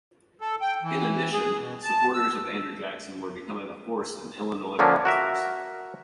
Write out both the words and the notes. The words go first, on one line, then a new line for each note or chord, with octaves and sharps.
In addition, supporters of Andrew Jackson were becoming a force in Illinois politics.
A4
G5
E3
G#4
B2
A5
E6
D3 F3 A#3 C#4 D4
F#4 A#4 E5